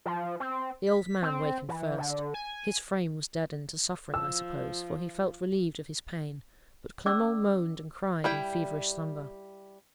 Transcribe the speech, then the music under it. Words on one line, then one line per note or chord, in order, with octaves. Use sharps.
The old man wakened first. His frame was deadened to suffering, I suppose, for he felt relieved of his pain; but Clement moaned and cried in feverish slumber.
F3
C4
B6
C4
E3
D3
G#5
F3 E6
C#4 D5 D6 E6
G3 E4 G5